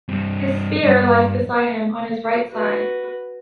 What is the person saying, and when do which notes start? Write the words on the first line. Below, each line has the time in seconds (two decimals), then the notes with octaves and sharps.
His spear lies beside him on his right side.
0.09 G2 C4
0.83 G2
2.52 F#4 B4